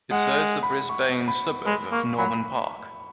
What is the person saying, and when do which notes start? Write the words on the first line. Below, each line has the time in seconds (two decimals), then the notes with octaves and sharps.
It serves the Brisbane suburb of Norman Park.
0.11 G#3 F#5
0.63 B5
0.89 C#6
1.28 B5
1.66 G#3 B5
1.92 A#3 C#6
2.18 F#3 B5